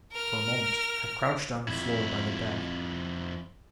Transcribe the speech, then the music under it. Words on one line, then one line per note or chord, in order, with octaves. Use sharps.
For a moment I crouched on the floor by the bed.
A#4 F6
F2 E4